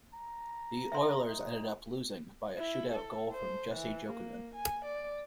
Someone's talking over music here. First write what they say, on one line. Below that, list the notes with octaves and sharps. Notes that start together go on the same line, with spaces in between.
The Oilers ended up losing by a shootout goal from Jussi Jokinen.
A#5
E5 C6
D#4
E4
A4
C5
E3
A#3
G#5
D5